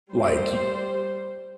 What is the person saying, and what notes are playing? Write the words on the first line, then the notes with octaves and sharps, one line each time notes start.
like y
G3 C5